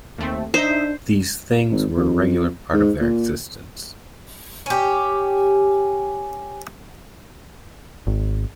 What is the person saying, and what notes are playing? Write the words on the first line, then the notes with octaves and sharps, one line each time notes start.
These things were a regular part of their existence.
D#2 A3 C4
D4 D#4 C5 E5
G#1
F2
G#2
A#2
C#4 G4
G#1